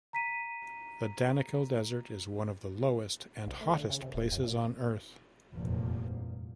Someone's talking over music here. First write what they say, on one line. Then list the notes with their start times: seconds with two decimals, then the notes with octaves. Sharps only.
The Danakil Desert is one of the lowest and hottest places on Earth.
0.13 A#5 B6 D#7
3.47 C2
3.61 A3
3.74 D3
3.90 C#3
4.02 C3
4.14 D1
4.32 F#2
4.43 A#2
5.52 F1 E2 G2 A#2 F3 A#3